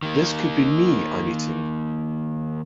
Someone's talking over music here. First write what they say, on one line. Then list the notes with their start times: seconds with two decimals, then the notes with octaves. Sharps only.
This could be me I'm eating.
0.03 D#3 A#3